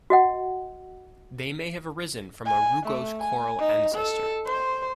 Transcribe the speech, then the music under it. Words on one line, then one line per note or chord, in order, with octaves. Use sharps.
They may have arisen from a rugose coral ancestor.
F#4 D#5 F#5
G#5
A3
G#5
D#4
A4
C5